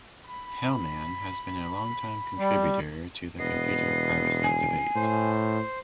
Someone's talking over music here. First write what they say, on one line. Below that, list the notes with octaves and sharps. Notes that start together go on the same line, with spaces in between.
Hellman has been a longtime contributor to the computer privacy debate.
B5
G3
E1 B3 D#5 C7
G#5
A2 C5